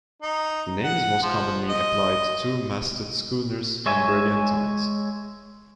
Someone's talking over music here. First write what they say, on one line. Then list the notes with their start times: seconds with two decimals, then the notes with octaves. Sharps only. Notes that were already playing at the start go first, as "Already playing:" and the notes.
The name is most commonly applied to two-masted schooners and brigantines.
0.22 D#4
0.84 F#5
1.23 F3
1.69 D#5
3.86 G#3 C#5 E5 G#5